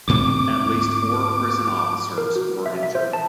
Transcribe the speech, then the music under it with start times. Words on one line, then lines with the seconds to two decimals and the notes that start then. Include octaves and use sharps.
At least four prison officers were injured.
0.08 D2 G#2 C4 D6
2.18 A#4
2.36 F#4
2.66 E5
2.83 E5
2.95 C5
3.13 A5